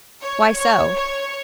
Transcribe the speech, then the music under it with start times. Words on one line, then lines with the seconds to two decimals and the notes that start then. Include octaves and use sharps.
"Why so?"
0.21 C#5
0.57 C#5
0.94 C#5